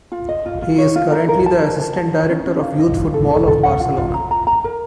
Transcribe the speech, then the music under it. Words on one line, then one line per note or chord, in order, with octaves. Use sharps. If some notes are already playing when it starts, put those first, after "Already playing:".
He is currently the assistant director of youth football of Barcelona.
F4
D#5
F4
F4
C#5
F4
A#4
A#4
A5
A#4
A5
A5
C#5
C#4
C#4
F5
D#5
F4
A4
A4
A4
F#5
F4
F4
A#5
A#5
A#5
A#4